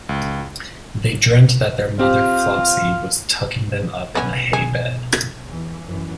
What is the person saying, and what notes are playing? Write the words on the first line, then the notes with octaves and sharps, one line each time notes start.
They dreamt that their mother Flopsy was tucking them up in a hay bed.
C#2
C4 F4 G4
B1 B2 B3 C#4
G#4
E2 E3
F#2 E3